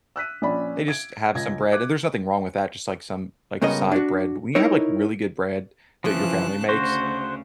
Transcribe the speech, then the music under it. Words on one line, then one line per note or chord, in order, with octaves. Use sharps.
they just have some bread and there's nothing wrong with that, just like some, like, side bread but when you have, like, really good bread that your family makes,
E6 F#6 B6 D#7
A#1 C#4 D5 B5
G#6 D7
C#2 G#6 A#6
D6 F#6 G#6
C#2 G2 C#3 B3 A#4 D#5
D4 F#4
D#4 E4 A#4 C#5
C#3 E3 F3 A5 F#6
D2 C#3 F#4 C5